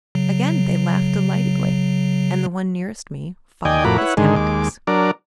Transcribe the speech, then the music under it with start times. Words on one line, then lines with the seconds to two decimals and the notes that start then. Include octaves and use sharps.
Again they laughed delightedly, and the one nearest me followed his tactics.
0.15 C#3 F#3
3.65 D#2 D5 D#5 G5 G#5
3.85 F2 A2 F#4 A#4 B5 D6
3.98 E4 B4 C#5 F#5
4.17 G#2 D3 D#3 G#3
4.36 D#2 G#3 D6
4.87 F#3 D4 A#4 D5